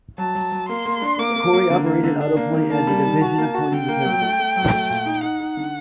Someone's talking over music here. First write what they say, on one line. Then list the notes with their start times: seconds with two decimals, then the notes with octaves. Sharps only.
Cory operated Autopoint as a division appointing the president.
0.18 F#3 A5
0.35 F#3
0.52 F#3
0.68 A#3 C6
0.86 A#3
1.02 D4
1.19 A#3 D6
1.36 A#3
1.53 A#3
1.70 D3
1.86 A#3
2.04 D3
2.21 D4
2.37 A#3
2.54 D#3
2.70 A#3 A5
2.87 G3
3.04 D#3
3.21 F#4
3.38 A#3
3.54 F#4
3.72 D3 G5
3.88 A#3
4.05 F#3
4.22 A3
4.39 A3
4.56 F#3
4.73 A3
4.90 A#2
5.06 D#4
5.23 D#4 F#5
5.40 D#4
5.57 D3